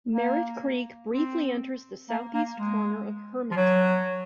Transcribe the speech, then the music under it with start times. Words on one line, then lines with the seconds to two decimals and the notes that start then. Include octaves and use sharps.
Merritt Creek briefly enters the southeast corner of Hermantown.
0.13 A#3
1.12 C4
2.09 A#3
2.34 A#3
2.59 G#3
3.51 F3
3.56 F#3